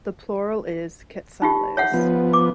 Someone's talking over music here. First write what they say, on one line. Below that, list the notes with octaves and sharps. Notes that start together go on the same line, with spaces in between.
The plural is "quetzales".
D#4 F4 G4
C#5 E5 F#5
F3 B3
D6